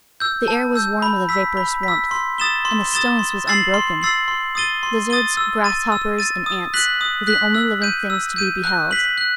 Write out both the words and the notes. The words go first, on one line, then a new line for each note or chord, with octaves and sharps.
The air was warm with a vaporous warmth, and the stillness was unbroken. Lizards, grasshoppers, and ants were the only living things to be beheld.
E6 G6
A5
E6 G6
B5
E6 B6
B5
E6 B6
C6
D#6 A6 E7 G7
C6
D#6 A6 E7 G7
C6
E6 A6 C7 F#7
C6
E6 A6 C7 F#7
C6
D#6 A6 D#7 G7
C6
D#6 A6 D#7 G7
E6
A6 D#7
E6
A6 D#7
D#6
F#6 B6 F#7
D#6
F#6 B6 F#7
E6
G6 D#7
E6
G6 D#7
F#6
B6 F#7
F#6